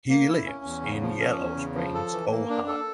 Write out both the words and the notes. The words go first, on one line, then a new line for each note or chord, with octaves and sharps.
He lives in Yellow Springs, Ohio.
A#3
E4
C#4
E2
C#3
F3
C#4
E2
C#3
F3
A4
E3
A#3
D4
A4